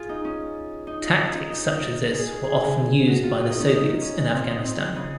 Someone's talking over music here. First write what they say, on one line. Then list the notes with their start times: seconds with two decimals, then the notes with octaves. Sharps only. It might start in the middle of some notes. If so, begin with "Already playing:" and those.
Tactics such as this were often used by the Soviets in Afghanistan.
Already playing: F4 G#4
0.09 D#4
0.25 C#4
0.87 D#4
1.03 F4
1.19 D#4
1.35 C#4
1.50 D#4
2.12 G#4
2.28 G#4
2.44 G#4
3.07 F#4
3.23 F4
3.38 F4
3.50 D#4
3.60 C#4
3.71 D#4
4.01 C#4
4.33 C4
4.49 D#4
4.65 C4
4.96 C#3